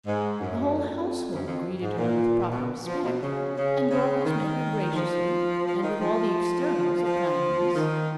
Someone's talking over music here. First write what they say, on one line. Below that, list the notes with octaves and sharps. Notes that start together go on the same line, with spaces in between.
The whole household greeted her with proper respect, and Dorcas met her graciously, and with all the externals of kindness.
G#2
F#2
F2
F#2
F2
G#2
A#2
A#2
B2
F3
B2
C#3
C#3
C#3
D#3
F3
F3
D#3
F3
F3
D#3